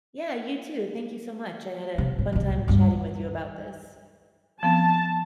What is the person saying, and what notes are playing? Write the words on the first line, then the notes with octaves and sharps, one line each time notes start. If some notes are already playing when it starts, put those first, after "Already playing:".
Yeah, you too, thank you so much, I had a fun time chatting with you about this.
C3
A2
C2 A2
D2 G2
F3 B3 C4 A5